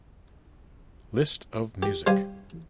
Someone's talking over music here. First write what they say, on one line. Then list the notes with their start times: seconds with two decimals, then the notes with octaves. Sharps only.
List of music.
1.83 G4
2.07 G3 G4 C5 F5 G#5